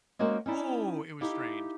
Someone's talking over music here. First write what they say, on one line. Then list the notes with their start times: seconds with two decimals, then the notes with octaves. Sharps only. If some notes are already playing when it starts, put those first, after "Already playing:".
Ooh, it was strange.
0.19 G#3 A#3 C#4 F#4 A#4 C5
0.46 C#4 D#4 E4 D5
1.21 D#4 E4 G4 A4 F5